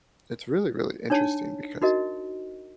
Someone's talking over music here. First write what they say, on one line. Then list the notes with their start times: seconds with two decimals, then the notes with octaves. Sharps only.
it's really, really interesting because,
1.10 D4 D#4 C#5 A5
1.82 D#4 F#4 A#4 D#5